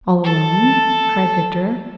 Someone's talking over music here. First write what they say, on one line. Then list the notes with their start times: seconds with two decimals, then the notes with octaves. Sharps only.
"All alone?" cried Victor.
0.24 A4 A5